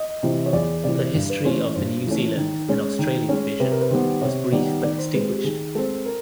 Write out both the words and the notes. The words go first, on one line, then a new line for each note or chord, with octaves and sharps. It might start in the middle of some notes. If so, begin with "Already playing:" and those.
The history of the New Zealand and Australian Division was brief but distinguished.
Already playing: D#5
C3 E3
C#5
E2 D5
C3 E3 D5
G2
B4
E3 A3 C#4 C5
G2 C5
E3 A3 C#4
D#3
G#3 C#4
D#3
G#3 C#4
C3 B4
A#4
B4
D#3 G3 B3 C5
C3 C#5
D#3 G3 B3 D5
D#3 D5
C5
G#3 C4 B4
G4
D#3 G#4
G#3 C4 A4
A#4